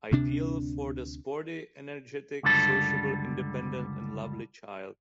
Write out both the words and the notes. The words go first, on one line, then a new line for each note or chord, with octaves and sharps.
Ideal for the sporty, energetic, sociable, independent and lovely child.
D2 C3 D4
C#2 F#2 D3 G3 A4